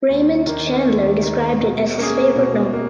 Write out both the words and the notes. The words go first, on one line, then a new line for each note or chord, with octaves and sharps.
Raymond Chandler described it as his favourite novel.
D#2
D#3 A#3
D#2
D#3 A#3
B2
A#3 C#4 G#4
B2
A#3